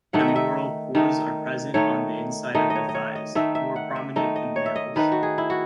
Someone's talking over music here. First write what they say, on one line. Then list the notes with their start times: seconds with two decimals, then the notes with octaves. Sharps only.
Femoral pores are present on the inside of the thighs, more prominent in males.
0.13 D#3 A3 D#4 F#5
0.20 E5
0.28 D#5
0.36 E5
0.95 D#3 A3 D#4
1.74 D#3 A3 D#4 C#5
2.54 D#3 A3 D#4 D#5
2.70 D#5
2.75 C#5
2.89 D#5
2.94 C#5
3.16 D#5
3.35 D#3 A3 D#4 E5
3.55 E5
3.76 F#5
3.96 E5
4.16 D#3 A3 D#4 D#5
4.36 D#5
4.56 C#5
4.66 E5
4.76 D#5
4.96 D#3 A3 D#4 B4
5.12 F#4
5.23 G#4
5.38 E4
5.50 F#4